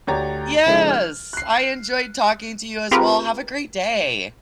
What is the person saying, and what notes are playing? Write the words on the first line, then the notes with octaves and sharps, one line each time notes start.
Yes, I enjoyed talking to you as well, have a great day.
D2 G4 C#5 D5 A#5 A6
C#3 F3 G#3 D#4 A4
F6
F#6 C7
C4 F4 G4 G#4 A#4 B4